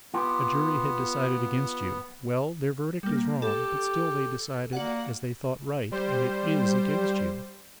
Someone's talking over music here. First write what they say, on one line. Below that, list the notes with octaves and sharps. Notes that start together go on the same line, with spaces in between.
A jury had decided against you; well, their verdict is wrong, but still they decided as they thought right, and it IS against you.
B3 F4 G4
G3 A#3
G4 A4
A#3 F#4 D5 F#5
G3 C5